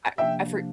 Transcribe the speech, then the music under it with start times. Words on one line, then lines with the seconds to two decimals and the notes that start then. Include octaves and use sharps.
I I for
0.18 C3 F3 A#3 D4 E5 G5